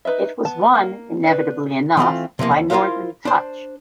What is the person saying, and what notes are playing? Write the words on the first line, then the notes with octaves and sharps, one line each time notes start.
It was won, inevitably enough, by "Northern Touch".
D#4 B4 D#5 E5
B3 A5
A#3
D4 B4
E3 A3 C4 F4
C3 E3 F3 A#3
D#2
E4 F4 G4 A#4 C5 F5
D4 C5